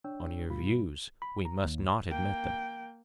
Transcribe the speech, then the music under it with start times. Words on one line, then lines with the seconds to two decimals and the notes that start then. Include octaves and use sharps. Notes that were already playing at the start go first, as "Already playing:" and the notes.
On your views, we must not admit them.
0.04 D4 C#5 G5 E6
0.49 G2 B2 G3 F4 B5
1.22 B5
1.45 A#5
1.64 D#2
2.08 A#3 G5